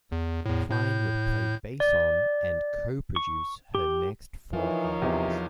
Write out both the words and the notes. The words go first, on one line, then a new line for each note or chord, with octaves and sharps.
Klein would play bass on and co-produce her next four albums.
E2
E2 A2
A2 G6
D5
C#6
G4
E3 F3 D#4 A#4 C#5
E2 C3